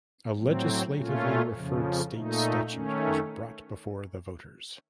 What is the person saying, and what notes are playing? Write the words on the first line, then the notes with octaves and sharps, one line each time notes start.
A legislatively referred state statute was brought before the voters.
A2 F#3 C4
A#2 A3 C#4 F4
F2 C#3 F3
A#2 A3 D#4
D#3 A3 C#4